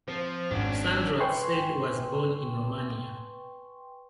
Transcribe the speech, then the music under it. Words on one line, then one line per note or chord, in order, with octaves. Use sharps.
Sandra Sade was born in Romania.
F3 C4
G#1 C#4 D4
B4 G5 G#5 C6 C#6